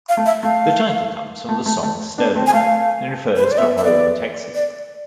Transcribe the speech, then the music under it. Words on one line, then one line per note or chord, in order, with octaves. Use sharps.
The title comes from the song, "Stoned," and refers to Rhome, Texas.
F5
A3
E5
A3 F5
A3
A3
A3
B3 D4
A3 C4
G#5
A3 F5
B4
C5
D5
B3 E5
E5
B3 D5
D5